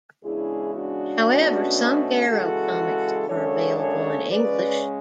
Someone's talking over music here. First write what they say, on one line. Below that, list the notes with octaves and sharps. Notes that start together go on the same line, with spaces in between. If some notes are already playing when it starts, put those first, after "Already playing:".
However, some "Garo" comics are available in English.
E2 C#3 G#3 D4 E4 G#4
D4 F#4
B2 A3 C#4
C#3 E3 G#3 F#4 A4
F#2 C#3 G#3 D4 A4 C#5
A4 C#5
C#3 G#3 C#4 B4 D5